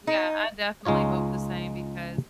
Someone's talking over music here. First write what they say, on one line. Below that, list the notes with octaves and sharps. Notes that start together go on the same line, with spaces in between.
Yeah, I definitely hope the same, because
D#4
C#2 G#3 D#4 F4 C#5